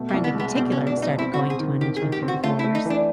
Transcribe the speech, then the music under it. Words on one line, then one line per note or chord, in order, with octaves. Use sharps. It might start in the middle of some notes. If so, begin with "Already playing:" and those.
friend in particular started going to one which went through a divorce,
Already playing: B2 A3
A#3
C2
B3
G#3 B3
B2 C4
C#4
B2
D4
B2 D#4
C4 E4
F#4
C4
G#4
D#3
D#3 G4
G#4
D#3
G4
C4
F#4
A3 F4
E4
A3
D#4
E3 D4